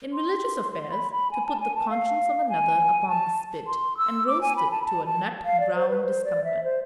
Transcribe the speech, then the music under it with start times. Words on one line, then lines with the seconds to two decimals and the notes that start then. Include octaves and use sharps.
In religious affairs, to put the conscience of another upon the spit and roast it to a nut-brown discomfort.
0.13 C6
0.71 C6
0.92 B5
1.12 B5
1.31 G#5
1.46 A5
1.60 G#5
1.75 A5
1.90 F5
2.49 G#5
3.08 A5
3.67 C6
3.97 E6
4.27 D6
4.41 G#5
4.56 B5
4.71 A5
4.82 B5
4.86 A5
5.06 A5
5.45 F5
5.60 D5
5.75 C5
5.89 B4
6.04 C5
6.25 D5
6.44 E5
6.64 C5